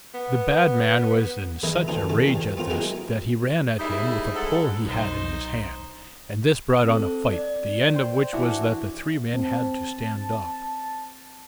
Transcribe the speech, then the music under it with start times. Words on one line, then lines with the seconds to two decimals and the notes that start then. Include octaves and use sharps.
The bad man was in such a rage at this, that he ran at him with a pole he had in his hand, and this brought on a fight, the end of which was that the three men had to stand off.
0.14 B3
1.63 G#4 A#4 B4 D#5 E5 G#5
1.88 D2 E3 F3 D4 E4 F4
2.09 C#3 E3 A3
2.25 D#2 G#2 F3 G3
2.57 B3 C4 F4 A#4 C5
2.70 F#3 G#3 A#3 C4 D#4 E4
3.79 D#2 G3 D#4 E4 G#4 E5
4.35 G#2 A4 F#5
4.85 B1 D#4 C5
6.84 C4 A4
7.33 D5
7.94 C5 G5
8.33 E3 D4 F#4
9.34 C4 A5